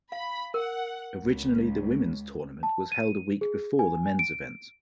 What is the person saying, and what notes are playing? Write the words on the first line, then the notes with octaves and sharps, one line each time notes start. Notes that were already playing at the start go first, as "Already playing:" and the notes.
Originally the women's tournament was held a week before the men's event.
F5 B5
A#4 F#5
C#2
A5
D#7
G#4
G#5
G#5
D7